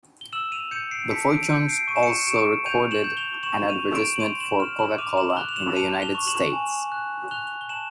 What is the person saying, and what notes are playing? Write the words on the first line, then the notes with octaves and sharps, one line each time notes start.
The Fortunes also recorded an advertisement for Coca-Cola in the United States.
G7
E6 E7 F#7
D#7 F7
G6 C#7 D#7
C7 D7
A5 B6 C#7
C7 D7
G6 C#7 D#7
C7 D7
C#6 D#7
E7
C#7 D#7
C#6 D7 E7
G6 D#7 F7
E7 F#7
G6
F7 G7
C#6 E7 F#7
D#7 F7
C#6
D7 E7
F#7
C6 D#7 F7
E7 F#7
F6 E7 F#7
E7 F#7
D6 D#7 F7
E7 F#7
F#7
F#6 F7 G7
F7
E7 F#7
A5 D#7 F7
F7 G7
C#6
E7 F#7
G#5
F#6
F#6 F7 G7
G7
A5 E7 F#7